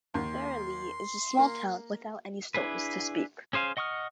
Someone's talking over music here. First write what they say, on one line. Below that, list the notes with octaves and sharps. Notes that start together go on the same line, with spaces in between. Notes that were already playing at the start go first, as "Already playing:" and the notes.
Berrilee is a small town, without any "stores", to speak.
D#2 C6
A#3
D4 E4 G#4 B4
C#4 G#4 C5 F5 G#5
D#5 F#5 C#6 D#6 F6